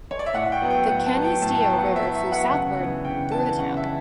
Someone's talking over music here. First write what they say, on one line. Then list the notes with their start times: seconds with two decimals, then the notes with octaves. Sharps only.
The Canisteo River flows southward through the town.
0.11 C#5
0.19 D5
0.26 E5
0.34 A2 F#5
0.52 G5
0.62 F#3 B3
0.70 G5
0.88 A2 F#5
1.06 A5
1.15 F#3 B3
1.24 G5
1.42 A2 A5
1.55 A5
1.60 G5
1.69 F#3 B3
1.78 F#5
1.96 A2 E5
2.15 E5
2.23 F#3 B3
2.32 F#5
2.51 C#3 F#5
2.78 E3 B3 D4
3.05 C#3 G5
3.31 E3 B3 D4 A5
3.59 C#3 F#5
3.77 E5
3.85 E3